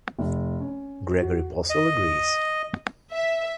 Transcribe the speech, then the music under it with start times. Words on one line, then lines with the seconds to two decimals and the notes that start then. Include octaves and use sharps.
Gregory Possehl agrees.
0.19 F1
0.60 C#4
1.22 F#4
1.70 D#5
3.11 E5